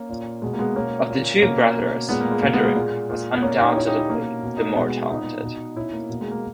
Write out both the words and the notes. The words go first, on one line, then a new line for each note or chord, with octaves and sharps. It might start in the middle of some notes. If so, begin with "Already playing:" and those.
Of the two brothers Frederick was undoubtedly the more talented.
Already playing: A#3 C#4
A#2
B2 G#3
A#3
G#3 B3
B2 A#3 C#4
A#2
B2 A#3 C#4
B2
A#2 G#3 B3
A#3
G#3
B2 A#3
G#3 B3
G#3
A#2 G#3
A#2
B3
A#2 A#3 C#4
D#4 G4
A#2 C#4 E4
D#4 G4
C#4 E4
B2 A#3 C#4
B2
D#4
C#4
B2 G#3 B3
G#3 B3
A#2 B3 D#4
B2
B2 C#4 E4
A#3
B2 A#3
G#3
A#3